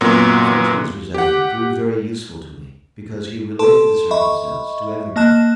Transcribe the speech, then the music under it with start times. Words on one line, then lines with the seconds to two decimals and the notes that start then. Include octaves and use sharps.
The Frenchman's resentment proved very useful to me, because he related the circumstance to everybody.
0.01 F#2 A#2 F#3 B3
1.14 G4 F#5
3.59 A4 A5 C6
4.11 D#5 E5 B5 C#6
5.16 A#3 D#5 A5 F#6 E7